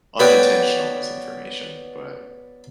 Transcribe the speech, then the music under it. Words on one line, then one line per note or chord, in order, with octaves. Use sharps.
unintentional misinformation, but
B3 F#4 B4 C#5 D5 G5